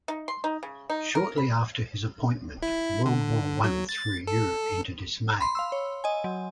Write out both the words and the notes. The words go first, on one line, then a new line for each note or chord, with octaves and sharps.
Shortly after his appointment, World War One threw Europe into dismay.
D#4
C6
D#4
C#3
D#4
A#4
B5
E4
D3
F#3
A6
A4
B5 C6
F5 C6 E6
C#5
D#5 G#5
F#3